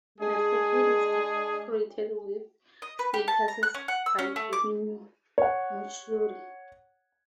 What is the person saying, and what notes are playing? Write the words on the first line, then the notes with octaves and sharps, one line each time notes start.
The facade is decorated with statues by Giovanni Marchiori.
G#3 D4 G#4
D#5
B4
G4
A5
A#5
F#6
C#4
F#5
E6
C#4
A3
D6
C#5 F#5